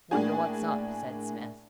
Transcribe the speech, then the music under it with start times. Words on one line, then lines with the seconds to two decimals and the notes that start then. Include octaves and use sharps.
"Wonder what's up?" said Smith.
0.11 A2 A#3 D4 G#4